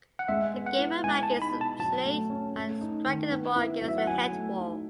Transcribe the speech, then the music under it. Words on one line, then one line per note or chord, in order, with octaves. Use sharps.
The game of rackets is played by striking a ball against a headwall.
F#5
G#3 E5
B3
F#5
E4
G#3 G#5
G#5
A5
D#4
B5
B2
A5
F#3 A5
A3
C#4
A3
D#4
D#3
B3
E4
F#3
E5
F#5
F#3 G#5
A3
D#4